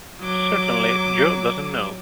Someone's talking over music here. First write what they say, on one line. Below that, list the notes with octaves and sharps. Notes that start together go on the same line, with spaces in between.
Certainly Jo doesn't know.
F#3 D6